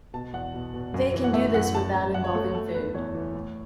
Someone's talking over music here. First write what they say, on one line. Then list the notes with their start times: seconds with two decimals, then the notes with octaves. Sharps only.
They can do this without involving food.
0.14 B2 A5
0.33 E2 F#5
0.54 B2
0.74 B2
0.94 F#2
1.14 E3
1.24 F#5
1.33 A3 E5
1.54 F#2 F#5
1.74 F#2 A5
1.94 F#2
2.14 F#2 F#5
2.24 C#5
2.34 A3 A4
2.44 F#4
2.54 A3 A4
2.74 E2 B4
2.85 B4
2.94 E2 C#5
3.14 E3
3.35 A2